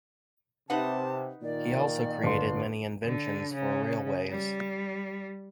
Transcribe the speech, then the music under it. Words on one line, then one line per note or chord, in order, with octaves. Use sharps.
He also created many inventions for railways.
C3 D#4 B4 F#5 A5
A#2 D#3 D5
G1 C6
D3
C#3
G3